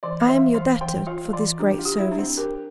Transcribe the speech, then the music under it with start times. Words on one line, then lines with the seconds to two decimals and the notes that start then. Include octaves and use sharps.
'I am your debtor for this great service.'
0.03 E3 D5
0.20 F5
0.29 E3 E5
0.55 E3 F5
0.81 E3 G5
1.07 F4 F5
1.33 E3 D5
1.59 D4 G4
1.70 G4
1.79 F4
1.85 G4
1.99 E4
2.12 D4
2.18 C4
2.37 G4 A#4